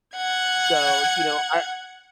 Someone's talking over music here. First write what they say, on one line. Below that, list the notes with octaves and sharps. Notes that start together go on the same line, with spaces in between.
So, you know, I
F#5 G#6